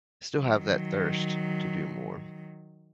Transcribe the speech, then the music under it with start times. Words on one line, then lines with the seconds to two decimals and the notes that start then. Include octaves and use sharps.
still have that thirst to do more.
0.37 D#3 F#3